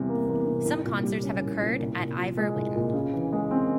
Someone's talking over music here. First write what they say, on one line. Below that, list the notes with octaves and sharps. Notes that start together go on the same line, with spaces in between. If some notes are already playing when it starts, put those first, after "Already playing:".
Some concerts have occurred at Ivor Wynne.
Already playing: E2 C3 G3
A#3
E2
C3
C2
A#2
G3
C#4
C2
A#2
C2
A#2
F3
G#3
C2
A#2
C#3
E3
G#3
C4